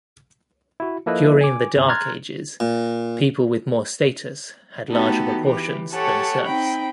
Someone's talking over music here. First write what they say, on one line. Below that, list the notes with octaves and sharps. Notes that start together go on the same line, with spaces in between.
During the Dark Ages, people with more status had larger proportions than serfs.
E4 F#4
F3 A#3 E4 A4 B4 D#5
G#5 D6
G1 C#4
A#5 C6 F6 F#6 G#6 A6
A#2
A3 B3 D#4 F#4 G4 A4
E3 G4
G4 A4 C#5 F#5 G#5 A5
C4 D#4 G5 B5